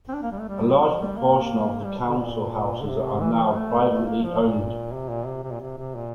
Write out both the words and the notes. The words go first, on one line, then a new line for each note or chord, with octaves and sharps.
A large proportion of the council houses are now privately owned.
C4
D4
A#3
G3
A3
G3
F3
G3
A#3
G3
D3
A#2
D3
C3
E3
E3
F3
A3
A3
A#3
F3
A#2
C3
A#2
C3
C3
A#2
C3
C3
A#2